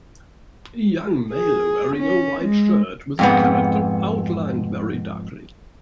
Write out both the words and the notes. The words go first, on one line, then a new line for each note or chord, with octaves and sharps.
A young male wearing a white shirt with a character outlined very darkly.
G#4
C#4
G#3
F2 G#2 B3